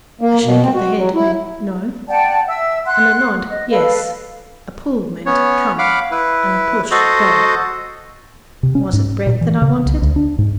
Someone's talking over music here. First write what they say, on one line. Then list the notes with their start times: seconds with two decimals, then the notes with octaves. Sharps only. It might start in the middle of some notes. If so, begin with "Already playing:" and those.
A shake of the head meant "No" and a nod, "Yes," a pull meant "Come" and a push, "Go." Was it bread that I wanted?
0.21 A#3
0.44 B2
0.63 C4
0.75 F#4
0.97 F#3
1.15 E4
2.09 D5 F#5 G5 A5
2.48 E5 E6
2.85 F#5 C6 F#6
3.49 D#5
3.70 A4 B4 F5
5.26 B3 C#4 C#5
5.79 F5 F#5 B5 D6
6.11 E4 B4
6.91 F#4 A4 C5 D#5
8.63 C3
8.75 C#4
8.93 G#2
9.27 A#2
9.41 E3
9.62 C#3
9.86 C2
10.02 D2
10.16 D4
10.39 G#2